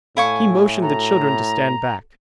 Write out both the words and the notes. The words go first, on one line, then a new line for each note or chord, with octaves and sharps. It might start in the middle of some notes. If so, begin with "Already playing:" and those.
He motioned the children to stand back.
A2 E4 A4 F5 G#5 C#6
F#4 A4 A#5